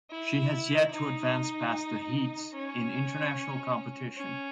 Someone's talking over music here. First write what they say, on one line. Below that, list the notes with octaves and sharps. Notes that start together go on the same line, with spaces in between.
She has yet to advance past the heats in international competition.
E4
D#4
C#4
C#4